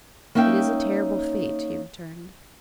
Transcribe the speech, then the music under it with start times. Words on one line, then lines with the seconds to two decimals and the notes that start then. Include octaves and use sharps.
"It is a terrible fate," he returned.
0.35 A#3 C#4 D#4 E5 F#5 G5